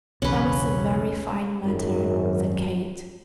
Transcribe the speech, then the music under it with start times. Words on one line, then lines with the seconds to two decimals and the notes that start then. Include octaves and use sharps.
"That was a very fine letter," said Kate.
0.22 B1 E2 C#3 C#4 B4
1.64 G#1 F#2